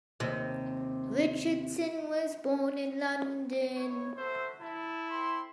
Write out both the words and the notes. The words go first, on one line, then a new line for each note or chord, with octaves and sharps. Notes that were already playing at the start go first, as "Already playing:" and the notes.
Richardson was born in London.
D#2 C3
D#4 E4 C#5
F#4 A4 C5 E5
E4 A5
C4 A4 C6